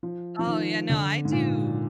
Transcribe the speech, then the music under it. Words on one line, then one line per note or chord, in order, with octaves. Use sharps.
Oh, yeah, no, I do
F3
F3
D#3
D3
G#2
A#2